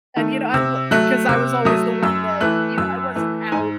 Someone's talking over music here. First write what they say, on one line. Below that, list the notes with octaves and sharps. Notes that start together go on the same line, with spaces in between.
And you know, I l 'cause I was always the one that you know, I wasn't out,
D#3 A3
C3 E6
F#3 A3 F#6
C3 E6
F#3 A3 D#6
F#2 E6
E3 A3 F#6
F#2 E6
E3 A3
G#2 G#5